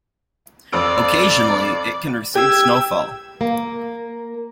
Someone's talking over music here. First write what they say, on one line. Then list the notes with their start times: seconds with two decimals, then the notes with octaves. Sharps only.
Occasionally, it can receive snowfall.
0.72 F2 D5 E6 D7
2.35 G4 E6 G#6
3.41 A#3